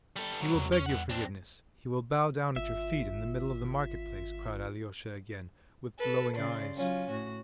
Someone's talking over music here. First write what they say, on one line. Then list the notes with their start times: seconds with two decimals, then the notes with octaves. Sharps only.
"He will beg your forgiveness, he will bow down at your feet in the middle of the market-place," cried Alyosha again, with glowing eyes.
0.16 G3 A4
0.40 C2 F#3
0.55 E2
0.72 C#4
0.86 G2 F#5
1.10 C4 D4 A#6
2.56 G#1 F4 E5
5.99 A4 B4
6.35 C#3 D5 C6
6.76 F#3 C#4 F4
7.10 A2 F#4